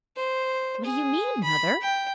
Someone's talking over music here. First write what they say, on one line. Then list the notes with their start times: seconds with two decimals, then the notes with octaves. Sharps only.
"What do you mean, Mother!"
0.16 C5
0.85 G#4
1.43 B5
1.82 G5